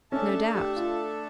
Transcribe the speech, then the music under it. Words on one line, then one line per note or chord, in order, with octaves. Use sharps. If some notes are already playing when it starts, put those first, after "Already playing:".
No doubt.
A3 C#4 D4 A4 E5 A5
G4
F4